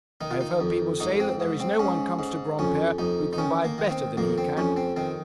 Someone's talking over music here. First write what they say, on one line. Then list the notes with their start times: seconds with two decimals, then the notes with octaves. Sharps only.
I have heard people say that there is no one comes to Granpere who can buy better than he can.'
0.21 D#3 D#4
0.31 F4
0.41 D#4
0.60 F2
1.00 G#2 D#4
1.20 C4
1.40 G#2
1.60 C4
1.79 G#2 C#4
2.19 G#2
2.59 F2 C#4
2.99 F2 D#4
3.33 D#4
3.38 D#3 C#4
3.64 A#3
3.78 D#3
3.91 C4
4.17 F2 A#3
4.38 C4
4.57 F2 C#4
4.77 C4
4.96 D#3 C4